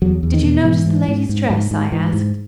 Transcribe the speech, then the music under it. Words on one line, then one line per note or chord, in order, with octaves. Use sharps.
"Did you notice the lady's dress?" I asked.
E2 F#3
E2
D#3
B2
G#2 E3
G#2
G#2
G#2
G#2
G#2
G#2 E3
G#2